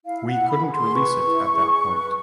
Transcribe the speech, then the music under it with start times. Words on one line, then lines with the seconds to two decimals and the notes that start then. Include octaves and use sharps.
We couldn’t release it at that point.
0.05 E4 F5
0.27 F#5
0.34 E4
0.49 B5
0.65 G#4
0.71 C6
0.94 B4 C#6
1.24 E4
1.54 G#4
1.84 B4